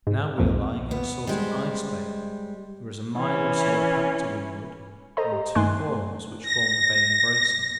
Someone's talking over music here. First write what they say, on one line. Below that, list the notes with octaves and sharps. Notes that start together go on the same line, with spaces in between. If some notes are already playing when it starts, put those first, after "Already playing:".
Now we are lying in a sort of ice bay--there is a mile or so of pack to windward, and two horns which form the bay embracing us.
G#2
B1 F2 A#2
B3
G3 G#3 C5
E3 C#4
A4 C5 D#5 A#5
G4
G2 A3 G#5 C6 F#6
A#6